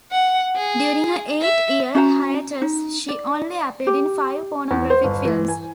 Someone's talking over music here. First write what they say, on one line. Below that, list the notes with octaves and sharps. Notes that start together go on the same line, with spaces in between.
During her eight-year hiatus she only appeared in five pornographic films.
F#5
G#4
E5
C#4 F#4 C5 A#5
D#4
D5
G4
E2
C5
G1
E3
G#5